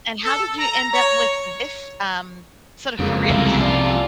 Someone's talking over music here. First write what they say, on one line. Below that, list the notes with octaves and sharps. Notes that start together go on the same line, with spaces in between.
And how did you end up with this, um, sort of career path?
A4
A#5
C#5
F2 C#3 G#3 A#3
C2 F3 A3
F4 D5